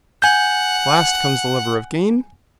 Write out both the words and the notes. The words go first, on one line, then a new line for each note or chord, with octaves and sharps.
Last comes the lover of gain?
F#5 G#5 G6